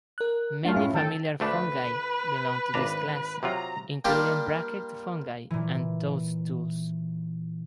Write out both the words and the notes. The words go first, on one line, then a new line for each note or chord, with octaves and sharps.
Many familiar fungi belong to this class, including bracket fungi and toadstools.
A#4 F#6
F#2 A3 D4 F4
A2 C#4 F5
D#3 A4 G5
D2 A3 D4 B4
G#1 D4 A#5
C3 F#3 F4 A#5
G3 A#3 D4 F4 G4
A#2 E3